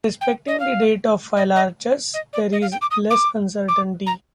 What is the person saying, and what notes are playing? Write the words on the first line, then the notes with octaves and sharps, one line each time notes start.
Respecting the date of Phylarchus there is less uncertainty.
G5
D#5
F5
D#5
D#5
D#5
D5
D#5
F5
G5
D6
D#6
D6
D6
A#5